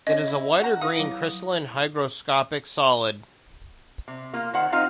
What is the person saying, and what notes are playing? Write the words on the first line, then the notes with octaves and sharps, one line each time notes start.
It is a white or green, crystalline, hygroscopic solid.
C#4 C#5 D#5
E4
F#4 A#5
E4 B4 F5 D#6
F#3 E4
C3
A#3 F4
D#3 C5 F#5
C4 D#4 F4 C5 F5